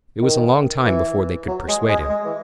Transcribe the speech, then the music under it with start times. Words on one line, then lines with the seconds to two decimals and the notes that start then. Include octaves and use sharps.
It was a long time before they could persuade him.
0.22 D#3
0.85 E3
1.48 F#3
1.69 G#3
1.89 G#3
2.09 G#3
2.26 E3